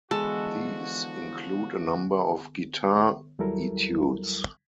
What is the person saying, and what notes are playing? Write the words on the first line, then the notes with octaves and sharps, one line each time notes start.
These include a number of guitar etudes.
D3 E3 F3 G#3 B3 E4 F#4 A4
D#2 F#3 G3 E4 A4 A#4